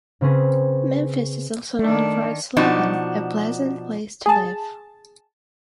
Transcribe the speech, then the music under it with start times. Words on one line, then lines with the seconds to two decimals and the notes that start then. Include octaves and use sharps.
Memphis is also known for its slogan, A Pleasant Place To Live.
0.21 C#3 C4 C#4 G#4 B4
1.79 D#3 A3 D4
2.57 B2 F3 D4 D#4 F#4
4.26 G#4 A5